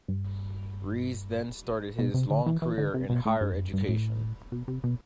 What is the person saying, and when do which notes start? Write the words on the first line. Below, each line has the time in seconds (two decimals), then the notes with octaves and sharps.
Rees then started his long career in Higher Education.
0.08 G2
1.99 B2
2.14 C3
2.30 D3
2.46 E3
2.62 E3
2.78 D3
2.94 C3
3.09 B2
3.25 A2
3.41 G2
3.53 E2
3.57 F#2
3.73 G2
3.88 A2
4.52 B2
4.68 C3
4.84 B2